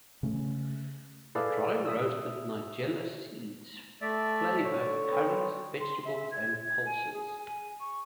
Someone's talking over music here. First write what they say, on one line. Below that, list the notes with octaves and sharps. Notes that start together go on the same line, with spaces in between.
The dry-roasted nigella seeds flavor curries, vegetables and pulses.
C#3 A3 C#4
E4 G#4 A4 B4 D5 F5
E5 D#6 E6
A3 D5 E5
A2 D3 C#5
B3 C4 A4
C6
E5
G#6
G#5
G#4
G#5
C#6